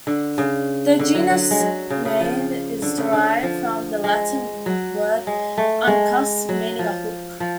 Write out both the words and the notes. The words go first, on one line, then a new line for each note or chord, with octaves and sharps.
The genus name is derived from the Latin word "uncus", meaning "a hook".
D3
C#3
D3
F#3
F#3
G#3
F#3
C#3
C#3
F3
D3
C#3
D3
F3
G#3
F#3
G#3
A3
G#3
F#3
F3
F3